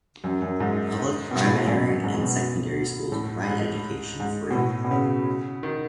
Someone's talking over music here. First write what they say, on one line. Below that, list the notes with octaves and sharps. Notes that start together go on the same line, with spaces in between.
Public primary and secondary schools provide education free.
F#2
F#2
G#2
B2
A2
G#2
F#2
G#2
B2
A2
G#2
G#2
B2
A2
B2
C#3
D#3